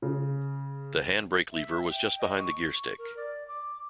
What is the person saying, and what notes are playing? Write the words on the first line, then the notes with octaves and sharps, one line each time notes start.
The handbrake lever was just behind the gearstick.
C#3
E5
G5
D#5
C#6
C#6
A#4
D5
D6